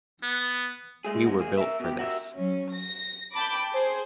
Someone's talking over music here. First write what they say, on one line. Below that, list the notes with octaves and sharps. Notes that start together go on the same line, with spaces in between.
We were built for this.
B3
G#3 A3 G#4
E2 G#3 F#4
A#3 G#4
A#4 E5
B2 G4
F#4 A#4 E5
F#3 C#4
A#6
G5 A5 B5 D6
G#4 C5